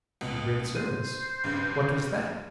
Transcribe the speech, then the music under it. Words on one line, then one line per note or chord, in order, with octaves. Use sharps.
"A great service--what was that?"
C#2 B2
C5 D#7
B1 G2 C#3